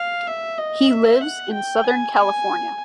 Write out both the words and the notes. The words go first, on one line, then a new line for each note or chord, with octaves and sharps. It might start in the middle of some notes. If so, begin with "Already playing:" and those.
He lives in southern California.
Already playing: F5
E5
D#5
E5
F#5
G5
G#5
G#5